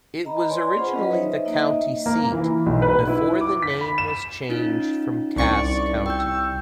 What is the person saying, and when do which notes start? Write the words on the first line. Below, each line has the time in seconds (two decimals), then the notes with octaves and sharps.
It was originally the county seat before the name was changed from Cass County.
0.25 D#5 A#5 B5
0.49 B4 C#5 D5 G#5 C6
0.77 C#4 F4 G#4 C5 F#5 B5
0.94 F#3 B4 D#5
1.10 D#4 C5 C#5 E5
1.45 A#3 D#4 D#5 E5
2.06 A#3
2.32 E3
2.66 B1
2.82 B4
3.08 E4
3.41 D6
3.62 B6
3.81 B5
3.98 E7
4.49 C#4 D#4 F4
5.36 C2 D5 C#6
6.06 G5 E6 G6